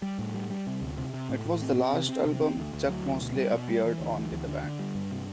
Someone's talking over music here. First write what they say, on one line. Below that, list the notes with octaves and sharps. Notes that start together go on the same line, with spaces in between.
It was the last album Chuck Mosley appeared on with the band.
G3
A2
G3
G3
C3
D2
C3
C3
A2
A2
C4
C4
C3
C4
C3
C4
D2
D2
F#3
D2
B2
G3
B2
G3
E3
D2
E3
D2
D3
D3
G3
G2
C3